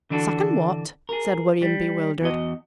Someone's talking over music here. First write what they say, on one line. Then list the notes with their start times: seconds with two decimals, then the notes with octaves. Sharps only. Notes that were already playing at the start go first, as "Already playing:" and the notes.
"Suckin' wot?" said William, bewildered.
0.10 D3 E3 D4 F#4 A4
1.09 G#4 A#4
1.62 G3
2.21 E2 F#4 D#5